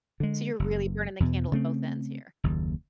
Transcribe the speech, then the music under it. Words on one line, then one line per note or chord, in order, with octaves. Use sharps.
so you're really burning the candle at both ends here.
D3 G#3
F#1
E2 B2
C#3 A3 C4
F#1 D#2